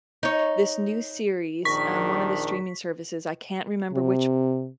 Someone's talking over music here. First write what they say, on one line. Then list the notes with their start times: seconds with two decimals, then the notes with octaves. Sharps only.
this new series on one of the streaming services, I can't remember which
0.23 D#4 C#5
1.65 A#1 D#3 D4 C#6 B6
3.93 C3